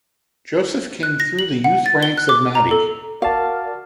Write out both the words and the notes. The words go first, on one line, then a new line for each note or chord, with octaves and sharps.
Joseph came through the youth ranks of Nadi.
F#6
A#6
F#7
F#5
A6
G7
F#6
D6
A#5
A4
F#4 A#4 D5 F5 A5